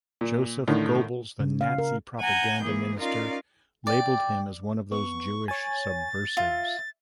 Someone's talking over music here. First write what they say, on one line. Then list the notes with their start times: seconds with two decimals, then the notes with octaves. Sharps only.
Joseph Goebbels, the Nazi propaganda minister, labelled him as one of those Jewish subversives.
0.21 A#2
0.68 A2 D3 D#3
1.40 C#3
1.61 F5
1.78 A#4
2.20 F#5 G#5 A#5 G6
2.62 E3 A#3 G#4
2.97 C#4 D#4 F4 A#4 D5 F5
3.87 D5 G5
4.92 B3 C#6
5.48 C#5 G#5 A6
6.37 F4 E5